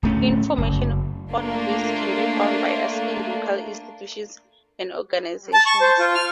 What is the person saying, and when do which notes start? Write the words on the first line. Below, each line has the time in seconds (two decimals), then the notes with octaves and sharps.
Information on these can be found by asking local institutions and organizations.
0.03 D1 A3 C#4
0.58 F#1
1.32 A3 A#3 D4 F4
5.53 A5
5.66 C#6
5.81 C5
5.99 F4
6.15 F6